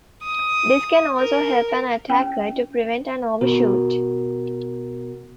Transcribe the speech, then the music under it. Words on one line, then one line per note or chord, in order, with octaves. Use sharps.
This can also help an attacker to prevent an overshoot.
D#6
A#4
C#4
B2 F#4 A#4